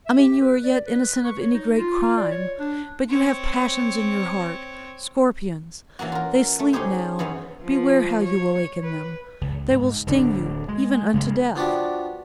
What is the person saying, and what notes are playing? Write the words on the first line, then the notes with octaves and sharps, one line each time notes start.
I mean you are yet innocent of any great crime!--But you have passions in your heart,--scorpions; they sleep now--beware how you awaken them!--they will sting you, even unto death!'
E5
G4
B4
D5
B4
C#6
C#5
D#4
F4
D5
C#5
D4
C4 C#5
E3 A#3 C#4 F#4
F4 A#4
A3
C#4 D#4 G4 G#4 C5
F#2 E3 B3 C#4 C5
F3
C#5
B4
C#2
G#2
D1 D2 D3 D4
G#3
C#3 G#3 A#3
F3 B3 D4 F#4 G4 D5